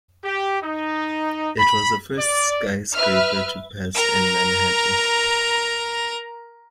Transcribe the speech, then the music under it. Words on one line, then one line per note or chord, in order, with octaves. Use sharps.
It was the first skyscraper to pass in Manhattan.
G4
D#4
B5
D5
B4 E5 F6
A#4 A#5